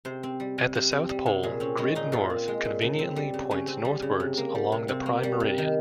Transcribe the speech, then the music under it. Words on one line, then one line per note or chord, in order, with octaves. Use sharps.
At the South Pole, grid north conventionally points northwards along the Prime Meridian.
C3 C5
C4
G3
C3
C3
C4
G3
C3
A#2 G#4
C4 C#4
G#3 C#4
A#2 D#4
A#2 F4
C4
G#3
A#2
C#3
C4
G3
C#3
C#3 C#4
C4
G3
C#3
C3
A#3
G3
C3
C3 C4
A#3
G3
C3
D#3